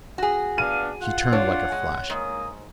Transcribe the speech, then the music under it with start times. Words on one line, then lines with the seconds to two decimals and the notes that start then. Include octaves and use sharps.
She turned like a flash.
0.18 F#4 G#4
0.58 B3 D4 F5 D#7
1.02 F4 F#5
1.33 D4 C#5
1.72 G#3
2.10 G#2 A#3 D#6